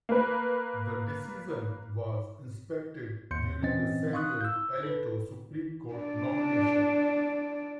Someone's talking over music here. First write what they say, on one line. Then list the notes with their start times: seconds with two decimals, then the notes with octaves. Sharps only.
The decision was inspected during the Samuel Alito Supreme Court nomination.
0.09 A#3 B4
3.31 D#2 C6 G6 C#7
3.62 A#2 E3 C4 C#4 D#5 A6
4.13 F5 C6 C#6 D#6 F#6
4.41 E6 G6
4.83 A4 B4
5.94 D4 D5